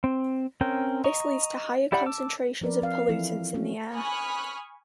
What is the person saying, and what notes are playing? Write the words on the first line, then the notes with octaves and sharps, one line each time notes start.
This leads to higher concentrations of pollutants in the air.
C4
C4 C#4 A#4 G5
D#5 A#5 C#6
E4 G4 D5 F#5 B5
A5 D6 E6
F3 C4 A#4 B4 D5
C4 F5
E3 F3 E4 A4
A#3 C4 C#4 F#4
G#5 B5 C#6 D#6 F6 F#6